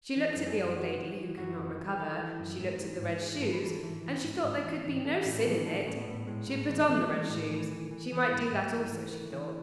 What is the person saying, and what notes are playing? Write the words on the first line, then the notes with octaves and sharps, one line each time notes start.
She looked at the old lady, who could not recover, she looked at the red shoes, and she thought there could be no sin in it; she put on the red shoes, she might do that also, she thought.
E3
A4
F#2
G#4
F#2
E3 F#4
E3
E3
F#2 F#4
E3
E3
G#4
E3 A4
E3
F#2
G#2
E3
G#2
E3 G#4
G#2 A4
B4
E3 A4
E3
E3
G#2
G#2
E3
E3
E3 A4
A2 G#4
B4
E3 A4
A2 A4
A2 C#4
B3
A2
A2 G#3
A2
E3
E3 A3
E3 G#3
G#3
A2 A3
E3
E3
E3
E3
G#2
G#2
E3 A3
E3
E3
E3